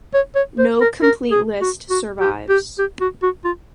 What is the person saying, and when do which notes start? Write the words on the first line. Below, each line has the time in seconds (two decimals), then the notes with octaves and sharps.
No complete list survives.
0.14 C#5
0.36 C#5
0.59 C5
0.81 A#4
1.03 A#4
1.31 G#4
1.61 F#4
1.90 F#4
2.20 G4
2.49 G4
2.79 G4
3.01 F#4
3.23 F#4
3.45 F4